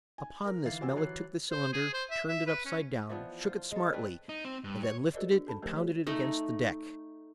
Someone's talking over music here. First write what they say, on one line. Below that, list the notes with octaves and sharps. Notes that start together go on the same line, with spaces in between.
Upon this Melick took the cylinder, turned it upside down, shook it smartly, and then lifted it and pounded it against the deck.
G#5
A#4
E3 E4 F5 A6 C7
F#4 G4 C5 G#5 E6
E3 F#3 C#5 F#6 C7
C5
G#4
C5
E5
E5
B4
C#4
E3 F3 B3 D4
F4 C5
G#3 A4
C4 D4 B4 C#5
D#4
C4
G2
C#5
F#4 G#4 A#4 C5 D5 D#5
D4
A4 A5 B5
F3 A3 G4 A#4 C5
F#4 G#4 C#5
A3 D#4